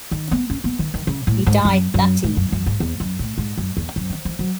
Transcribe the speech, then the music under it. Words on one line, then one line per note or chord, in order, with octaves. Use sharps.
He died that evening.
D#3
B3
C#4
B3
D#3
D#3
C#3
A2
G#2
F#2
F#2
G#2
F#2
F#2
G#2
E2
F#2
A2
G#2
F#2
E2
F#2
D#3
E3
F#3